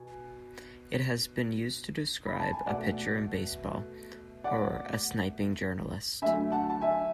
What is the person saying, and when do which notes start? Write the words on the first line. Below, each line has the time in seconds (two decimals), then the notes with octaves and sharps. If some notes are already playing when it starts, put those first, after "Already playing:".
It has been used to describe a pitcher in baseball, or a sniping journalist.
Already playing: B2 G#5
2.26 B5
2.39 A5
2.53 G#5
2.66 B2 A3 D5 F#5
4.44 D5 F#5
6.22 D3 F#3 A3 E5 G#5
6.52 F#5 A5
6.70 A5
6.81 E5 G#5